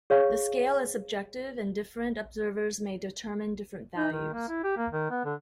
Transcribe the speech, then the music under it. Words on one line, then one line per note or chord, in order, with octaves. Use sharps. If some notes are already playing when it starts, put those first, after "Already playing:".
The scale is subjective, and different observers may determine different values.
G#4 C#5 F5 C#6
D#4
D#3
A#3
E4
G4
A#3
D#3
B3
D3